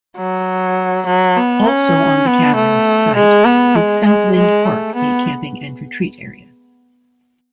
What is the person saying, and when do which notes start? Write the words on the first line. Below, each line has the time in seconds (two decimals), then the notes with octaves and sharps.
Also on the cavern's site is "Southwind Park", a camping and retreat area.
0.17 F#3
1.06 F#3
1.37 B3
1.67 C#4
2.26 B3
2.55 A3
3.16 G#3
3.45 B3
3.75 G#3
4.05 G#3
4.35 G#3
4.65 A3
4.95 B3